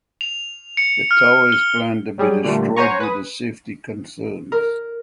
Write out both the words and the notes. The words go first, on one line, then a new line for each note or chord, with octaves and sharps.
The tower is planned to be destroyed due to safety concerns.
F7
C#7
F6
G7
F#3 G3 G#4
A#2 D3 G3 A3
C5 C#5 F#5 G#5 A#5 C#6
B4 D#6
A#4